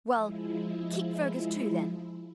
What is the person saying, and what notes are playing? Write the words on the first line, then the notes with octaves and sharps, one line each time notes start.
"Well, keep Fergus too, then."
F3 G#3 E4